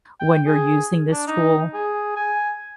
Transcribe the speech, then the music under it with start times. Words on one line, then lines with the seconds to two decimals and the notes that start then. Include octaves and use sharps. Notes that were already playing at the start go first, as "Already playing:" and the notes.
when you're using this tool?
0.20 G5
0.46 G#4
1.11 D4
1.27 D#4
1.74 G#4
2.16 G#5